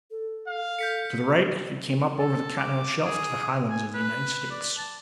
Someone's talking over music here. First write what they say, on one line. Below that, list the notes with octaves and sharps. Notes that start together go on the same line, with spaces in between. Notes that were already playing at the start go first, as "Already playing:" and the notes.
To the right, it came up over the continental shelf to the Highlands of the United States.
A4
F5
A4 G6 B6 C#7
A4
D6
G#4
G#5
B4
D5
A5